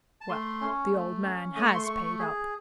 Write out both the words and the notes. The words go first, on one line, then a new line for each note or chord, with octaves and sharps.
Well, the old man has paid up.
A5
A3 C6
C#4
A3
C#4
A3 D#6
C#6
C6
A3 C#6
G#4